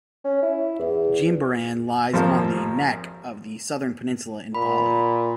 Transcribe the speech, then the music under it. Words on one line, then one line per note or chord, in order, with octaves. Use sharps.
Jimbaran lies on the 'neck' of the southern peninsula in Bali.
C#4
E4
E2
G#1 F2 F3 G3 A#3 G4
A#2 B5